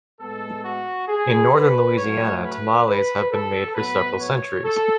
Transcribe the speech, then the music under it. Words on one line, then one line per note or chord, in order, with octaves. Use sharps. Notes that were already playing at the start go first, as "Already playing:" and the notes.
In northern Louisiana, tamales have been made for several centuries.
A2 G#3 B3 A4
F#4
G#4
B4
A2 F#3 A3 C#4 C#5
B4
B4
A4
A2 F#3 B3 B4
C#5
A4